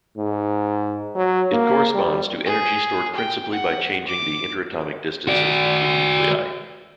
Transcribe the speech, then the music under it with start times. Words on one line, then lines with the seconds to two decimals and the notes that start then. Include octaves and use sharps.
It corresponds to energy stored principally by changing the inter-atomic distances between nuclei.
0.17 G#2
1.15 F#3
1.52 A#3
1.94 G3
2.46 G#4
3.15 G5
3.51 F#5
4.07 D6
5.27 F#4 D5